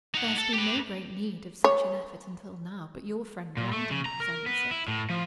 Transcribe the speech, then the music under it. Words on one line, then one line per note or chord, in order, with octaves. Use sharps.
There has been no great need of such an effort until now, but your friend Brandon presents it.
D#4 F#5
A4
G4 B4
C#5
A#2
A3
C#3
A#5
A#4
B3
E4
A2
F3